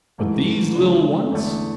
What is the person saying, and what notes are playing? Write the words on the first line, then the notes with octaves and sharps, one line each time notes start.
But these little ones!
G#2 E3 A3
C#3 G#3 D4
E2 D3 A3 E4